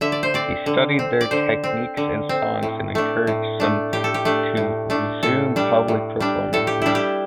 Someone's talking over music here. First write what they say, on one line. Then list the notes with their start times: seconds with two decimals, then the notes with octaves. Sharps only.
He studied their techniques and songs and encouraged some to resume public performances.
0.01 D3 E5
0.12 D5
0.23 C5
0.34 C4 D5
0.66 D3
0.99 C4
1.21 D5
1.31 D3 C5
1.64 C4
1.97 D3
2.29 C4
2.63 A2
2.95 A3 D4
3.27 A2
3.60 A3 D4
3.93 A2 G4
4.04 A4
4.14 G4
4.25 A3 D4
4.57 A2
4.90 A3 D4
5.23 A2 A4
5.56 G3 D4
5.88 A2
6.20 G3 D4
6.53 A2 A4
6.67 G4
6.82 G3 D4 E4
6.95 G4